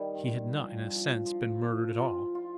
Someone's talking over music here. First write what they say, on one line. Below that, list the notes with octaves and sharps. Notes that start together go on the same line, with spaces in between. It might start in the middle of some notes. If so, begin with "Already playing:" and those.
He had not, in a sense, been murdered at all.
Already playing: D#3 G3
G2
F3
F3
F3
F3
F4
F4